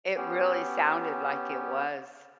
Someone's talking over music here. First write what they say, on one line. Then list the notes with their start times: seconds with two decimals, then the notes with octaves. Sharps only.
It really sounded like it was,
0.17 B3 C#4 G4